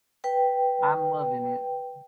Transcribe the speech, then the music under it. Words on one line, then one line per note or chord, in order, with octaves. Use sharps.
I'm loving it.
B4 G5